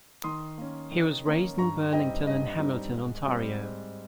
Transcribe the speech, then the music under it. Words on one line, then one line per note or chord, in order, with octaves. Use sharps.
He was raised in Burlington and Hamilton, Ontario.
D#3 C6 D#6
A#3 C#4
D#3
A#3 C#4
G2 A#5 C#6
G3 C4 D#4 D#5 G5
G2 D#5
G3 C4 D#4
G#2
G3 C4
G#2